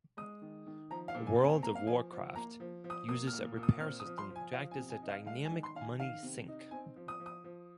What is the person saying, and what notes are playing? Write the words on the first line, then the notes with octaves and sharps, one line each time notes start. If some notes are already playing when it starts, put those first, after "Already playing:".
"World of Warcraft" uses a repair system to act as a dynamic money sink.
G#3 D#6
D#3
D#3
F3 A#5
F5
A#2
G#5
C4
G#5
A#3 A#5
F5
F3 G#5
F3
A#3 A#5
F3
F3
D#6
A#3 D#6
F6
A#2
A#2
D#6
C4 F6
D#6
F3
C6
F3
G#5
F3 F5
G#5
C3
G#5
D#4
F5
G#3 F5
G#5
D#3
C6
D#3 F5
G#5
D#3 F5
C3
D#4
C4 G#5
F3
D#6
F3
D#6
F3